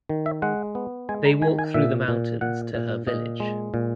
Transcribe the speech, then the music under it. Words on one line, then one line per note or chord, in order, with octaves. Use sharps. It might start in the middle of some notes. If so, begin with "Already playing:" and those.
They walk through the mountains to her village.
D#3
E5
G#3 F#5
B3
G#3 G#5
A#5
D#3 G#5
G#5
A#2 E5
A#2
A#2 F#5
A#2
A#2 D#5
G#3
A#2